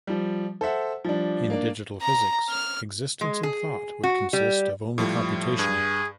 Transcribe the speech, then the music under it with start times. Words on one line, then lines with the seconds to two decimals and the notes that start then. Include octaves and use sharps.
In Digital physics, existence and thought would consist of only computation.
0.07 F3 G3
0.61 A4 C5 E5 F#5
1.04 F3 G3 D4
1.50 A#3 D4
2.02 A#5
2.49 F6
3.21 G#3
3.43 G#4
4.04 F#4
4.33 G3
4.98 A2 F3 G3
5.59 G2 G#4